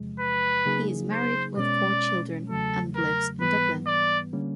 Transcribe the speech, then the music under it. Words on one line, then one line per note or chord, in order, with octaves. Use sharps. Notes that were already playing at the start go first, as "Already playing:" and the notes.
He is married with four children and lives in Dublin.
Already playing: E2 C3 F3 G#3
B4
C#3 F#3 A#3 D#4 G#4
C5
B2 G#3 C#4 D5
E2 C#3 F#3 A3 A4
A#4
G#2 E3 G3 B3 B4
D5
D3 G3 A#3 C#4